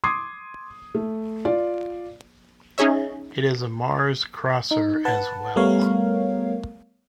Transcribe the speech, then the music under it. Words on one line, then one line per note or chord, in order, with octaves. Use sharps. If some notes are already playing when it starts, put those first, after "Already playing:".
It is a Mars-crosser as well.
C6 D6 D#6 G#6 C7
A3
F4 D5
C#4 D#4 G#4 C#5 E5
D#4
B4 F#5 A5
G3 A3 B3 A#4 C#5 F5